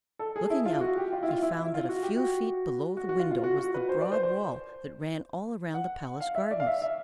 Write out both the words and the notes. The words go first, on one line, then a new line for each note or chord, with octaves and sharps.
Looking out, he found that a few feet below the window was the broad wall that ran all around the palace gardens.
A4
G#4
E4
F4
F#4
G4
F4
E4
F4
E4
E4
F4
F#4
G4
F#4
F#4
F#4
F4
F4
F#4
F#4
B4
C5
D5
C5
C5
F#5
F5
E5
D5
F5
E5
E5